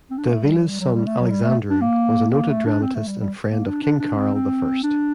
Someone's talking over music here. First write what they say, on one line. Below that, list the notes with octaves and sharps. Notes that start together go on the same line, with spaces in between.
Davila's son Alexandru was a noted dramatist and friend of King Carol the First.
C4
D4
A3
G3
F#3
G3
F#3
G3
A3
F#3
G3
A3
D4
A#3
A#3
A3
D4
C4
A3
G3
G3
A#3
D4
D4
D4
C4
C4
D4